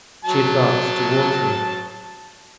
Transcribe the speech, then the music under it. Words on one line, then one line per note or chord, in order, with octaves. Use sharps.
She advanced towards me.
F#3 A5